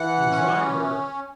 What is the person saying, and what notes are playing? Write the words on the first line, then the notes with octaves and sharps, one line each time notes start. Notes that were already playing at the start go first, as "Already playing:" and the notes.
the driver,
Already playing: E3 F#5
C#4